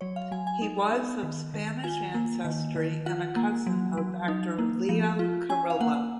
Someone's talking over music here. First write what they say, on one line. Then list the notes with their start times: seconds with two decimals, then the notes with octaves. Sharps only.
He was of Spanish ancestry and a cousin of actor Leo Carrillo.
0.01 F#3 C#5
0.16 F5
0.31 F#3 G#5
0.47 G#5
0.62 D#4
0.92 B3
1.23 D#3
1.54 D#3
1.84 F4 G#5
2.14 A#3
2.45 D#3
2.76 D#3
3.06 F4 F#5
3.36 A#3
3.67 F#3
3.97 F#3
4.28 D#4
4.59 A#3
4.89 F3
5.19 F4
5.49 C#4 G#5
5.70 F5
5.80 A#3 F#5